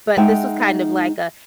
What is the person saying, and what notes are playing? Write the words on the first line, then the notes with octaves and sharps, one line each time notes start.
but this was kind of like a,
G#3 D#4 E5 F#5 G5